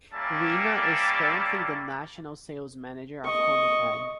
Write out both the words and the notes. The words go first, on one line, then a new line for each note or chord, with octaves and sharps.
Wiener is currently the National Sales Manager of Homyped.
G3 A#3 C#4 D5 E5 A5
D#5 C#6